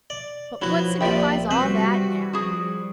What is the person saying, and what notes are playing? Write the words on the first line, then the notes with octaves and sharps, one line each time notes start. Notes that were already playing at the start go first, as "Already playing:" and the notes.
But what signifies all that now?
D5
F3 F#3 E4 F#4 B4
C2 A#2 D5 E5 G5 B5
C3 G3 C4 F#4 B4
F3 G3 F#4 G#4